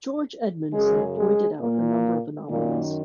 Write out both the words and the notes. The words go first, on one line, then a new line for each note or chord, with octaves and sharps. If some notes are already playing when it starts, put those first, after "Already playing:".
George Edmundson pointed out a number of anomalies.
F#2 C#3 G#3 G#4
G#3 G#4
A#2 A#3
F#2 A#2 D#3 A#3